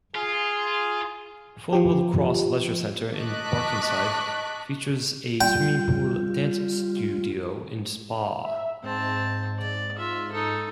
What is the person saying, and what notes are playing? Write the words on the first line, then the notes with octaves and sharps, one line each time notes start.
Fullwell Cross Leisure Centre, in Barkingside features a swimming pool, dance studio and spa.
F4 G#4
F3 G4
D#5 A5 C#6 D6 F#6 B6
G3 F4 G5
E5
G#2 C4 A5
D5
F4 E5
D#4 A4